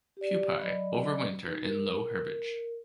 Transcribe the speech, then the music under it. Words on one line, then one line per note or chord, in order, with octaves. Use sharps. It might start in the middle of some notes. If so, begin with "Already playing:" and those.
Pupae overwinter in low herbage.
G4 D5
F#3 D5 D#5 B5
D#4 F#4
A#4